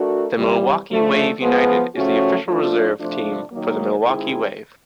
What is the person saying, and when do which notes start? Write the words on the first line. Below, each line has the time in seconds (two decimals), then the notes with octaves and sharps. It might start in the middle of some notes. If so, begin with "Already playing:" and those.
The Milwaukee Wave United is the official reserve team for the Milwaukee Wave.
Already playing: A3 D4 F#4 A#4
0.36 C3 E3 G3
0.89 D3 F3 A3
1.41 F3 G#3 B3
1.94 C#3 F3 A3 C#4 F#4
2.47 F3 A3 D4 F4
2.99 C3 F3 A3 D4 F4
3.52 D#3 F#3 A#3
4.04 D#3 G#3 C4 E4 G#4